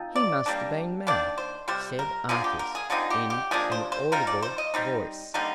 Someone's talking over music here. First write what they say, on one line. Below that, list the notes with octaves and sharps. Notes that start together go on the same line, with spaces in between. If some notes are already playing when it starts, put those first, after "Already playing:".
"He must have been mad," said Artis, in an audible voice.
Already playing: F3 C4 D#4
D5
G3 A#3 D4
D#3 A#3 D4 D5
C5
C3 G3 C5
A#4
D3 F3 A#3 D4 G#4
G4
A#4
G#4
D3 F3 C4 D#4 G#4
G4
G4
C3 F3 A#3 D4 G#4
C5
C5
F3 C4 D#4 A#4
D5
C5
D#5
G3 C4 D#4
D3 G3 A#3 D#4